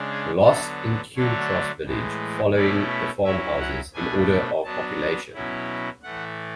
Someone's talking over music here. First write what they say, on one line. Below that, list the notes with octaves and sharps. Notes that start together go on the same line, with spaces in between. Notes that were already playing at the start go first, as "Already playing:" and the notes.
Los Encuentros Village following the farmhouses in order of population.
Already playing: C#3 G#3 D4
G#4
D3 F#3 B3 D4 A4
D3 F#3 A3 D4 C#5
A2 E3 G#3
B2 A3 C#4 E4 D5
F#3 C#4 E4 E5
F#5
B2 A3 D4 G#5
F#3 B3 D4 A5
B2 F#3 C#4 E4
A2 E3 A3 F#5